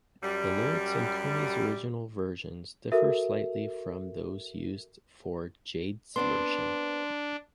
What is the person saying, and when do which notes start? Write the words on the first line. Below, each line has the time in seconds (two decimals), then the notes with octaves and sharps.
The lyrics in Kumi's original versions differ slightly from those used for Jade's version.
0.23 F#2 G3
2.92 F#4 A4 A#4 E5
6.16 B3 C4 D4 D5 C6